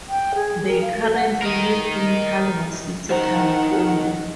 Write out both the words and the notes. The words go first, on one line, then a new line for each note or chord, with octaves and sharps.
They currently live in Culver City, California.
G5
G#4
A#4
F5
A4
F#5
A#4 D#5
D#3 C5 F#5 A#5